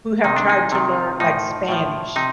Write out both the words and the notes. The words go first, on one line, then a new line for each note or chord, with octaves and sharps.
who have tried to learn, like, Spanish.
C3 D#3 D#4
D4
D#4
C3 D#3
A2 F3 D#4
A2 F3
C3 D#4